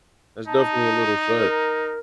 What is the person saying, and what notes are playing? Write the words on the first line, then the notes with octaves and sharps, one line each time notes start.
That's definitely a little sad.
D#4 A5
A#4